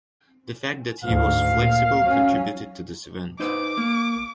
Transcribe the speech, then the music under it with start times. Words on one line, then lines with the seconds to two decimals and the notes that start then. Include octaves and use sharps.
The fact that he was flexible contributed to this event.
1.04 D2 G#2 F5
1.54 A#2
2.04 F#3 C#4
3.40 D#4 B4 C5 D6
3.77 A#3